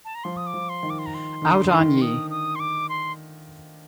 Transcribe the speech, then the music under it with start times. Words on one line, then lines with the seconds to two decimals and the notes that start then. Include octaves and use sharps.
Out on ye!
0.05 A5
0.15 A#5
0.24 F3 C6
0.37 D#6
0.47 D6
0.54 F3
0.69 C6
0.83 D#3
0.90 D6
0.99 C6
1.06 A#5
1.14 C6
1.42 D3
1.71 D#3
2.02 D#6
2.30 D#6
2.55 C6
2.60 D6
2.89 C6